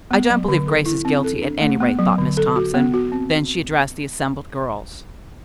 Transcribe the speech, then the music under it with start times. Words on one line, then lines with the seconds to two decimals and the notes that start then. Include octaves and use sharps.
"I don't believe Grace is guilty, at any rate," thought Miss Thompson; then she addressed the assembled girls.
0.11 B3
0.30 F#3
0.48 D3
0.67 A4
0.86 E4
1.05 C4
1.24 A4
1.42 D4
1.61 A3
1.80 B3
1.99 F#3
2.18 D3
2.37 A4
2.56 F#4
2.74 B3
2.94 F#4
3.12 C4